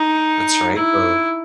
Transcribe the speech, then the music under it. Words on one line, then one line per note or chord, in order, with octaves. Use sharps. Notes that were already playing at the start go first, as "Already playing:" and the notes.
That's right, of
Already playing: D#4
E4